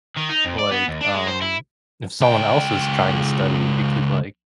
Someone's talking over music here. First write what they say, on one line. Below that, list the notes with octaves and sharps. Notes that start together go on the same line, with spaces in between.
like, um, if someone else is trying to study, it could, like
D#3
D#4
F2
D5
B3
D#2
D4
G#3
C5
E4
C#2 G5